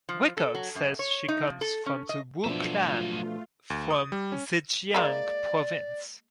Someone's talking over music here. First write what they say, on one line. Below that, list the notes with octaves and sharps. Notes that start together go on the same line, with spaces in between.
Records say she comes from the Wu Clan from Zhejiang Province.
F3
A4
F#3
F#2
C#5
D#4
F3
A4
C#4
D#5
B2 F3 F#3 A3 D4 F4 E5
D2
D#6
G3
C#4
G#3 A#3 E4 D5